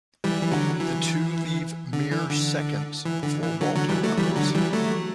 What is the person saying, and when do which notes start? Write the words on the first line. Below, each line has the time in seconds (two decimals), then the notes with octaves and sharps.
The two leave mere seconds before Walt arrives.
0.24 E3 G3
0.42 E3
0.52 D3 F#3
0.80 E3
1.93 D3
2.11 E3
2.30 D3
3.05 E3
3.23 D3
3.43 E3
3.61 D3 F#3
3.75 D3 F#3
3.89 E3 G3
4.04 F#3 A3
4.17 E3 G3
4.36 D3 F#3
4.55 E3 G3
4.73 F#3 A3